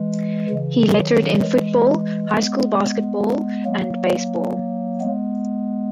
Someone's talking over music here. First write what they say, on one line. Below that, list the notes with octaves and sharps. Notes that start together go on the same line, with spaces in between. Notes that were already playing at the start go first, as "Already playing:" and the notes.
He lettered in football, High school basketball, and baseball.
Already playing: E3 G#3
C#3 E3
D#3 F#3
E3 G#3
G#3 B3
F#3 A#3
G#3 B3